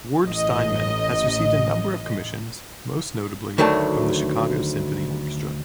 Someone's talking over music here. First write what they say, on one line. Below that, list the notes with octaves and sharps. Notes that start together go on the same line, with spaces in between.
Ward-Steinman has received a number of commissions, most notably from the Chicago Symphony Orchestra.
A1 D#5
D2 D#3 F#3 A3 A5